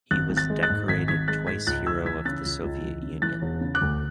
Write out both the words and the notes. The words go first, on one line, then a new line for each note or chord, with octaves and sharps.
He was decorated twice Hero of the Soviet Union.
G#1 F#6 A6
G#1
F#6 A6
G#3
F#6 A6
G#2
G#1 G#6 B6
G#1 G#6 B6
G#3 F#6 A6
G#2 G#6 B6
C#2 F#6 A6
C#2 E6 G#6
E3 G#6 B6
C#3 F#6 A6
C#2
C#2
E3
C#3
E3 F#6 A6
E1
C#3
D6 F#6
D2